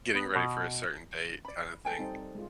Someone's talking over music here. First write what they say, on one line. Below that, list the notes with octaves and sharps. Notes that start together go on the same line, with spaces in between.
getting ready for a certain date kinda thing.
B3
B2
D5 B5
A4 G5 G#5
G3 C4 D#4
G#3 F4